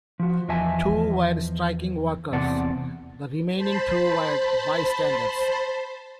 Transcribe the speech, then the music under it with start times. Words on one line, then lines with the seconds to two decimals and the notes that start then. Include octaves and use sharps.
Two were striking workers; the remaining two were bystanders.
0.19 F3 F#4
0.48 E2 F3 D#5 E5 G#5 A5
2.32 E2 C3 B3 D5 F#5 A5
3.55 C5 A5 B5